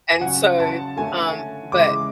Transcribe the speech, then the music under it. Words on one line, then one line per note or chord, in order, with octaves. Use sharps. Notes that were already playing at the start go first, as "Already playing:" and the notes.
And so, um but
G#5
C#3 F#3 C#4 F#5
A5
D3 A3 C#4 G#5
C#3 E3 G#3 C#4 D6